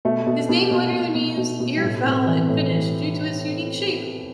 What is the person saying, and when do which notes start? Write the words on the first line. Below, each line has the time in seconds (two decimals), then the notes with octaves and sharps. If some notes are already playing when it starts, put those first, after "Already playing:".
Its name literally means "Ear Fell" in Finnish due to its unique shape.
0.05 B2 A3
0.27 B2
0.49 B2
0.71 B2
0.93 B2
1.15 B2
1.37 B2
1.60 B2
1.77 G3
1.82 A2 A3
2.04 A2 C4
2.26 E3
2.49 A2
2.71 E3 E4